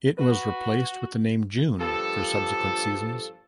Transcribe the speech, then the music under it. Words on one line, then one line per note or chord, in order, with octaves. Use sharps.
It was replaced with the name "June" for subsequent seasons.
F#4 B4
G2 A#2 F3 A4